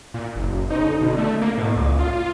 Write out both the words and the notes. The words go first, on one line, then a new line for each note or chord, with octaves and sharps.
Oh my gosh.
A#2
F#1
D#4
B2
A3
A#3
A2
C#2
F4
F4